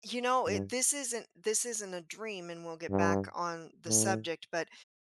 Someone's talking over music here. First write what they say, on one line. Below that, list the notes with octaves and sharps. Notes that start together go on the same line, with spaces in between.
you know, it this isn't this isn't a dream, and we'll get back on the subject, but,
G2
G2
A2